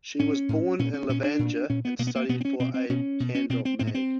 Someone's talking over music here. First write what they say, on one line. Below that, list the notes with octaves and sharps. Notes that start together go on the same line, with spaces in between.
She was born in Levanger, and studied for a cand.mag.
A2 C#4
A2
A#2 C#4
C#4
A#2 C#4
D4
A#2
A#2 C#4
B3
B2 A#3
B3
A#3
B2 B3
C4
C#4
B2 C4
C4
B2 C#4
B2
C#4
B2 C4
C4
A2 C4
B3
C4